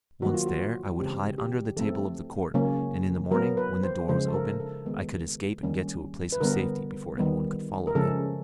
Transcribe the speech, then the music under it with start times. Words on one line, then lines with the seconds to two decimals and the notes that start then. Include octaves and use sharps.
Once there, I would hide under the table of the court, and in the morning, when the door was opened, I could escape and get to a place of safety before anyone could follow me.
0.22 D#3 F#3 A#3 F#4
0.34 F4
0.46 F#4
1.00 C#3 E3 G#3 C4 G4
1.38 G4
1.77 F3 A3 C4 A4
2.54 C#3 F#3 A#3 C#4
3.31 F#3 B3 A#4
3.57 B4
3.83 C5
4.09 C#3 F3 G#3 C5
4.28 A4
4.34 A#4
4.60 A4
4.86 D#3 G#3 B3
5.63 D#3 G3 A#3 C#4
6.32 B4
6.41 D3 G3 B3 A#4
7.18 D#3 G3 B3
7.87 A#4
7.95 C#3 F3 G#3 C#4 A4